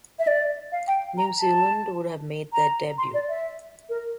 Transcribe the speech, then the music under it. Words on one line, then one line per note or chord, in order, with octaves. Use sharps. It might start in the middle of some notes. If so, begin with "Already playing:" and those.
New Zealand would have made their debut.
E5
D5
F5
G5
A#5
A5
A#5
C6
D5
E5
A#4